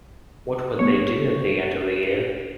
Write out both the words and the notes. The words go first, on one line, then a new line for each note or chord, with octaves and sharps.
What would they do at the end of a year?
A1 B2 C#5